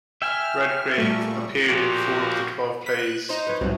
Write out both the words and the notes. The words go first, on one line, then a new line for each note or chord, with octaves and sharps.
Redgrave appeared in four of the twelve plays.
E5 G5 G#5 F6
A#2 G3 A3 C#6
A#2 F3 F#4 G4
B6
F#6
D#4 C5
B4 C#5
C2 A2 F#3 C4 D#4